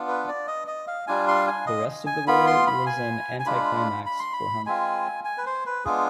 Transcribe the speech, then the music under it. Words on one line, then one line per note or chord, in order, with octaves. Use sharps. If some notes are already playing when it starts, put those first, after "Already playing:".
The rest of the war was an anticlimax for Hunt.
Already playing: B3 D4 F4
B4
D5
D#5
D#5
F5
G3 D4 F4 G#5
C6
G#5
D#5
G#5
B3 F4 B5
C6
B5
G#5
G#5
G#3 D4 F4 B5
B5
C6
B5
G#3 C4 F4 G#5
G#5
B4
C5
B4
G#3 B3 D4 F4 G#4